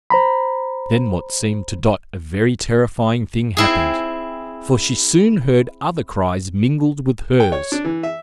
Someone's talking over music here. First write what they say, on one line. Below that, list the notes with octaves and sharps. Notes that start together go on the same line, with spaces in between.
Then what seemed to Dot a very terrifying thing happened; for she soon heard other cries mingle with hers.
C5 A#5 B5
C4 E4 G#4
G5
C#5
D4
E3
E5